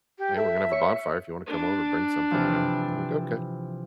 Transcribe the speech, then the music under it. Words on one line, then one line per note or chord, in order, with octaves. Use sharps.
"Hey, we're gonna have a bonfire. If you wanna come over, bring something," you know, and they're, like, "Okay,"
G4
A4 E5
C#5 C#7
D4
C3 E3 F3